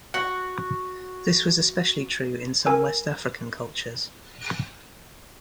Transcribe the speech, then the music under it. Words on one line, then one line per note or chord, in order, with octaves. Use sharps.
This was especially true in some West African cultures.
F#4 F#5
A#4 G#5 E6